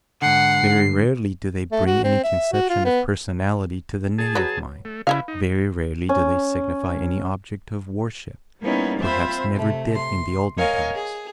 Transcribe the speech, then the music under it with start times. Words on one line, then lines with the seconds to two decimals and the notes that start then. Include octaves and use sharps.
Very rarely do they bring any conception of personality to the native mind, very rarely do they signify any object of worship, perhaps never did in the olden times.
0.22 G#2 D3 F#5 C7
1.72 A3
1.87 F#4
2.04 C4
2.24 E5
2.53 F#4
2.70 F4
2.85 B3
4.18 G#4 A5
4.35 F#3 B4
4.85 A3
5.07 C#3 E4 B4 C#5 F5
5.28 D#4
6.09 C#4
8.61 G3 A#3 B3 C#4 D#4 E4
9.00 C4 F4 C5 E5 B5
9.54 C3 A3
9.94 C6
10.57 A#4 C#5 D#5 F5 G#5
10.93 G#4